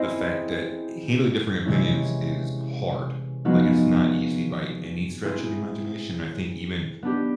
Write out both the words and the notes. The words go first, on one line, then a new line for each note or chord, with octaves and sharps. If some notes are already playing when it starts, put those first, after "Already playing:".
the fact that handling differing opinions is hard. Like it's not easy by any stretch of the imagination. I think even
Already playing: C4 E4 G#4 C5 D#5
C3 E3 G#3 C#4 E4
F3 G#3 B3 D#4 F#4
C4 E4 G#4
B3 D4 G4